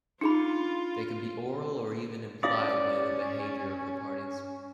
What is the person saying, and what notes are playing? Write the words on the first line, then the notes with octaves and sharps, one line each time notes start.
They can be oral or even implied by the behavior of the parties.
D4 D#4 F4 G#4 B5
C#4 E4 D5 F5 D#6